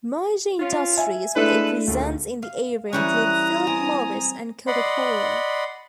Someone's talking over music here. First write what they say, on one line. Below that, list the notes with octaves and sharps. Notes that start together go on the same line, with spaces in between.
Major industries with a presence in the area include Philip Morris and Coca-Cola.
C#4 F4
E5 G#5
G#3 A3 D4 E4 A4 B4
D2 A#2 C#3 A3
F5
E3 G3 C#4 E4 A#5 D#6 F#6
C4 G#5
D5 D#5 F#5 B5 C6